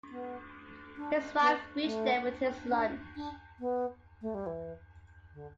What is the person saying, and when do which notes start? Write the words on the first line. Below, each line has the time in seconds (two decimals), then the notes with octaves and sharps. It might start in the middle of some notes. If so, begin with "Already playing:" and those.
His wife reached there with his lunch.
0.10 B3
0.97 D4
1.41 B3
1.84 A3
2.68 B3
2.72 D4
3.16 D4
3.60 B3
4.22 A3
4.34 G3
4.46 E3
5.34 D3